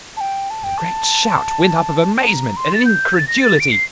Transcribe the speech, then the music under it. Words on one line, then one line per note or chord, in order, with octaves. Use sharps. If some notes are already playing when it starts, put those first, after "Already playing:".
Then a great shout went up of amazement and incredulity.
A5
G5
A5
G5
A5
A5
A#5
C6
A6
G6
A6
A#6
A6
D7
C7